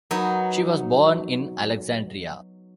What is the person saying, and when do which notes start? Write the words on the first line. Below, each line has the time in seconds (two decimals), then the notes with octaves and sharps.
She was born in Alexandria.
0.11 F#3 B3 D#4